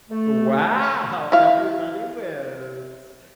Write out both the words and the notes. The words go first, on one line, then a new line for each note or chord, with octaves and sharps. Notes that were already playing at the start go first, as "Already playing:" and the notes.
Wow! Everybody wins,
A3
E4 F5